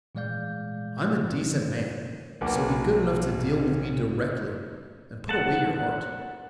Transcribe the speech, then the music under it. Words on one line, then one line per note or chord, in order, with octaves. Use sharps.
I'm a decent man, so be good enough to deal with me directly and put away your art.
A#2 E3 G#3 D5 F5 G6
B1 A#3 F#4 B4 D6
F#5 A5